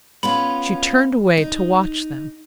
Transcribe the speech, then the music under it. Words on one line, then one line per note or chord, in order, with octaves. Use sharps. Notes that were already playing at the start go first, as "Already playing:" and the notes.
She turned away to watch them.
B3 C#4 F4 B5
D#4